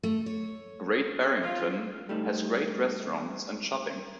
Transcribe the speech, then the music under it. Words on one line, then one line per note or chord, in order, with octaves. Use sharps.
Great Barrington has great restaurants and shopping.
A3
C#5
F4
G3 A3 D#4